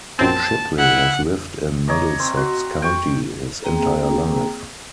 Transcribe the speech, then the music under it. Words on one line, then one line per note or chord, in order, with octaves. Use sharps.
Shipley has lived in Middlesex County his entire life.
A#1 F#2 C4 A5
E4 F#5
C#5 D#5 A#5 D6
C4
F#4 C6
G5 C#6
A#3 C4 G#4 G5 A#5